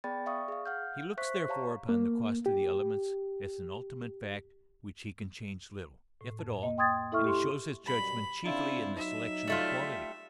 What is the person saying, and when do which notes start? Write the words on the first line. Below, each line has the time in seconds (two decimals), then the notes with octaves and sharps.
He looks therefore upon the cost of the elements as an ultimate fact which he can change little, if at all, and he shows his judgment chiefly in the selection of quality.
0.04 B3 G#4 D5 G5 B5 A6
0.26 D5 E5 F5 C#6 D#6
0.48 G#4 F5
0.66 F5 F#5 F6 G6
1.18 C5 E5 C#6 F#6 B6
1.48 G4 C#5 F5 A5 A#5 C#6
1.89 A#3
2.46 G4
6.21 A2
6.39 F2
6.63 A#3 D#5
6.78 G5 C6 D#6 G#6 A6
7.12 E4 A4 E5 C#6 F6
7.24 G4 C6
7.85 F#2 B2 G3 B5
8.43 C#3 C4 D4 E4 F4
8.95 F#3 D#4 E5
9.47 G3 A3 F4